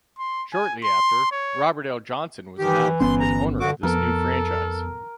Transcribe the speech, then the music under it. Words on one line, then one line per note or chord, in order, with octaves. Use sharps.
Shortly after, Robert L. Johnson was announced as owner of this new franchise.
C6
G#5
C6
C#5
D#3 E3 G4
G1 B3 C#4 C6
A#5
G2 D3 F#4 D6
F2 B3 A4 A#4